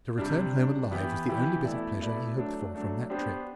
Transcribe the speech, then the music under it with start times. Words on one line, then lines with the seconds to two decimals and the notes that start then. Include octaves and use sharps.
To return home alive was the only bit of pleasure he hoped for from that trip.
0.18 C3 G3 D4
0.54 C3 G3 D4
0.91 E3 B3 E4 G4 B4
1.28 E3 B3 E4 G4 B4
1.64 B2 A3 E4 B4 D5
2.00 B2 A3 E4 B4 D5
2.36 F#3 A3 D4
2.74 F#3 A3 D4
3.10 B3 D4 G4 C5